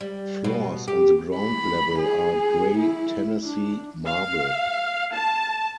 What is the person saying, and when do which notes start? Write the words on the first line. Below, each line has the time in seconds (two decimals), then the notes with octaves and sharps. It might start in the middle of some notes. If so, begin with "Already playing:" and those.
Floors on the ground level are gray Tennessee marble.
0.01 G3
0.44 B2
0.88 G4
1.36 B5
2.00 G#4
2.79 E4
3.43 D4
4.07 F5
5.13 A5